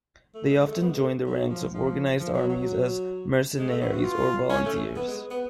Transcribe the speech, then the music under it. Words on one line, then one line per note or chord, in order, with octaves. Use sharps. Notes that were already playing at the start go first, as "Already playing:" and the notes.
They often joined the ranks of organized armies as mercenaries or volunteers.
A3
G#3
A3
B3
G#3
A3
F#3
F3
F3
F3
F#3
F#3
G#3
A3
B3
F#4
F4
C#4
A3
B3
G#3
B3